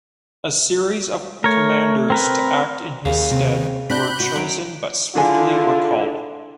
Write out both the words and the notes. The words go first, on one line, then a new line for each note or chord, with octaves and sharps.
A series of commanders to act in his stead were chosen but swiftly recalled.
A3 A#4 C#5
C4 A#4 B4
D#2 C#3
C3 C4
C4 D4 F#4 B5 F#6 G6
F#4
F#2 D7
D3 D4 E4 F4 G#4 G#5